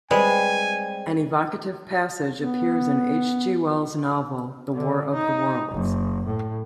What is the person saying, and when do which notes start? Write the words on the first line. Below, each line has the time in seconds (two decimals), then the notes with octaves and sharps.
An evocative passage appears in H. G. Wells' novel "The War of the Worlds".
0.11 G3 G#3 C4 B4 G#5
2.35 B3
4.74 D3
5.14 D#4
5.71 F#1
6.26 A2